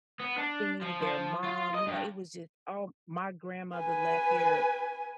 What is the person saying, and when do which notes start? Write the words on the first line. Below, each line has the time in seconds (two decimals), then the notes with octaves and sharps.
see their mom, you know, it was just oh, my grandmother left here
0.20 B3
0.38 D4
0.82 F3
1.01 F3
1.44 F4
1.74 D#5
1.87 G2
3.78 B4 G#5